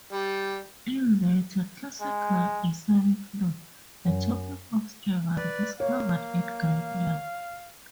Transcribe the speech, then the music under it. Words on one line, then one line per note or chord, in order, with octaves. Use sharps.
In later classical Islamic law, the topic of slavery is covered at great length.
G3
G#3
F#2
B4 D5
A#3 C#5 F5